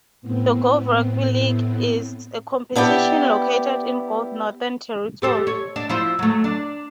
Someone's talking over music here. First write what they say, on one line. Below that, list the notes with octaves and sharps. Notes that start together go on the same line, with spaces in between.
The Gove Rugby League is a competition located in Gove, Northern Territory.
A2 B3 C4
B3 D4 E4 G4
G4 A4 C5
C#5
D4
F3 E4 C5
F#3 A3
D4